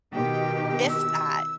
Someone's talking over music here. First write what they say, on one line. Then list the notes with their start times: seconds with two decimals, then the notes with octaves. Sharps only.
If that
0.13 B2 D#3 G4 G5
0.89 E6